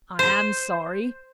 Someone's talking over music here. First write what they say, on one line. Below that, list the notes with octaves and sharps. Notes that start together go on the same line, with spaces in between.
I am sorry.
C5